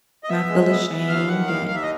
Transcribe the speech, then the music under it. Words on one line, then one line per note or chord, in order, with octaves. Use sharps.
not feel ashamed and
D#5
B3 E5
G#3
B3
B3
D#2 F5
D#3 F#5
D#2 F5
D#2 F5
E5
D#5